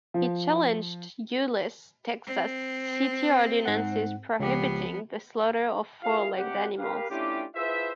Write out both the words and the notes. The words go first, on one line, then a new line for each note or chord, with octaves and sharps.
He challenged Euless, Texas city ordinances prohibiting the slaughter of four-legged animals.
F3
C4
G#2 F#5
C#2 F3 B3 G4
E4 F4 G#4 A#4 F5
C3 G3 G4 F#5
G4 A#4 B4 F5
A3 C#4 D4 E4 F4 G4
E4 F4 G#4 B4 C5 E5